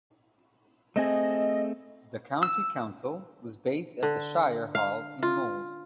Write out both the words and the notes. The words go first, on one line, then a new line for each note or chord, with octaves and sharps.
The county council was based at the Shire Hall in Mold.
A3 C4 G#4 D#5
E6
D3
F5
F4